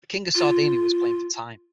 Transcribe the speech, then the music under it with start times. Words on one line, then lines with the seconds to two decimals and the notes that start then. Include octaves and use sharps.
The King of Sardinia was playing for time.
0.35 F4